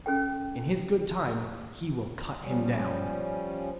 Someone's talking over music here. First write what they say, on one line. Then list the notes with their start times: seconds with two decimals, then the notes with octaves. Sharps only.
In His good time He will cut him down.'
0.06 C#4 A4 G5
2.41 F3 G3 C#4